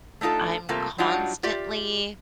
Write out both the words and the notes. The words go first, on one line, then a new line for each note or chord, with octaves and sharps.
I'm constantly
A3 D4 D#4 F4 A4
C3 G3 A3 A#3 C4 F4
F#3 G3 D4 D#4 F4 F#4
F4 G4 D5 E5